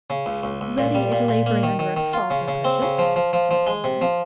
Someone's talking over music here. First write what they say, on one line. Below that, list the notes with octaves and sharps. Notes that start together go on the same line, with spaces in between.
"Reddy is laboring under a false impression," said Anne.
C#3
C#2
C#2
C#2
A#2
G3
A#2
A#2
A#3
D#3
D#3
D#3
F4
C#3
C#3
C4
C#3
F3
F3
F3
F3
G#3
C3
F3